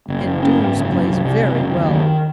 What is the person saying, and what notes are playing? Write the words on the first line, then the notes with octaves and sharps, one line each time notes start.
And Doos plays very well.
F#1
F#1
C#4
G#2
F#1
F#2
C2
C3
F#1
F#1
D#2
D#3